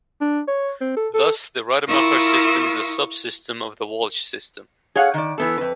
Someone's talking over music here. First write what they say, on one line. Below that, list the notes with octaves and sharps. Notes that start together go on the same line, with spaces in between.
Thus, the Rademacher system is a subsystem of the Walsh system.
D4
C#5
C4
A4
A4
E4 F4 A#4 C#6 D#6 E6
G#4 C#5 F5 F#5
D#3 D5
E3 B3 A4
F2 B4